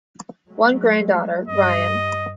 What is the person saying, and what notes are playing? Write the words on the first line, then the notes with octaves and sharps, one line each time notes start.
One granddaughter, Ryan.
F#3 G#3 A3
G2 G3 D#5